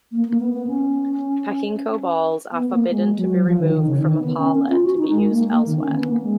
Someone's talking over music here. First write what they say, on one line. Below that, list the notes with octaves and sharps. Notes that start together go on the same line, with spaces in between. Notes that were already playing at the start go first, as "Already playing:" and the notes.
Pachinko balls are forbidden to be removed from a parlor to be used elsewhere.
A#3
A#3
B3
B3
C#4
B3
A#3
G#3
F#3
F3
D#3
D#3
C#3
D#3
B3
C#4
C#4
F4
F#4
D#4
G#3
A#3
A#3
D#3
C#4
B3
A#3
G#3